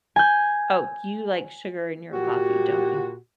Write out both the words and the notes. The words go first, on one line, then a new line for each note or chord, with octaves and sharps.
Oh, you like sugar in your coffee, don't you?
G#5 G6
A#2 F#4 G4